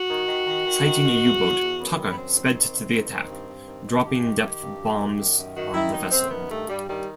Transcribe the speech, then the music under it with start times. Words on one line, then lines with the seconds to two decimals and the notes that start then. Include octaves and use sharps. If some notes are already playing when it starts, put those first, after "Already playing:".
Sighting a U-boat, "Tucker" sped to the attack, dropping depth bombs on the vessel.
Already playing: F#4
0.09 D#3
0.28 D#3
0.46 D#3
0.65 D#3
0.84 D#3
1.03 D#3
1.22 E2
1.40 E2
1.59 E2
1.78 F#2 B3
1.97 D#3
2.10 B3
2.16 F#2 C4
2.34 D#3
2.53 D#3
2.72 F#2
2.91 D#3
3.10 D#3
3.29 G2
3.48 G2
3.66 D#3
3.85 D#3
4.04 G2 G4
4.23 D#3
4.42 D#3
4.61 G2
4.79 F#2
4.98 F#2
5.17 D#3
5.36 F#2
5.55 D#3 F#4
5.73 D#3 E4
5.92 F#2 D#4
6.11 F#2 C4
6.30 D#3 B3
6.49 G2 A3
6.68 G2 G3
6.87 D#3 G3